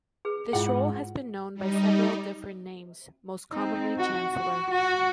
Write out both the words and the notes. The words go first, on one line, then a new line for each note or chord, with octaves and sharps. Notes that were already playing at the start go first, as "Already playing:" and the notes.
This role has been known by several different names, most commonly Chancellor.
G#4 B4
G#2 E4 F4 G#4 F#5
G3 D#4
C4 D#4
F#4
F#4
F#4